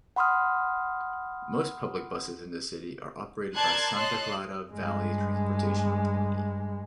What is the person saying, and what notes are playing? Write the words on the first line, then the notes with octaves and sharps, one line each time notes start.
Most public buses in the city are operated by Santa Clara Valley Transportation Authority.
F#5 B5 C6 D#6 F6
A#4 D5 A5 C6 F#6 G#6
C#5 D#5 A5 C6 F#6
G2 G#3